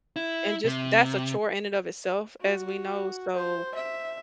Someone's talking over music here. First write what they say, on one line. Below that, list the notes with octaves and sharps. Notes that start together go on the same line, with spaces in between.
and just that's a chore in and of itself as we know, so,
E4
C3
F#4
C5
E5